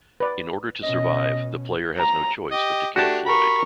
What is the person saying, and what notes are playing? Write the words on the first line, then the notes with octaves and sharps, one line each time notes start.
In order to survive, the player has no choice but to kill Floyd.
B4 D5
B2 C#4 D#5
A#5
G4 D#5
A3 D4 F#4 G4 A5
A#4 B5 C#6